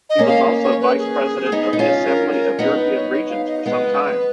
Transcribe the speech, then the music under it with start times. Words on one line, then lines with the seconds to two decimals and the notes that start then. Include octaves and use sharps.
He was also Vice President of the Assembly of European Regions for some time.
0.10 D#5
0.18 A#3 C#4
0.28 F5
0.63 C#5
0.81 B4
0.99 G#4
1.52 B3 D#4
1.73 D#4
1.79 C#4 F4
2.06 A#4
2.32 A#4
2.59 B3 D#4 B4
2.76 B4
2.94 C#5
3.12 C#5
3.29 F5
3.48 D#5
3.66 G#3 B3 B4